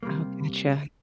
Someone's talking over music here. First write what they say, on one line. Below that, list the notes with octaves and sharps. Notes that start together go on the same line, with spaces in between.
Oh, gotcha.
C3 G3 A#3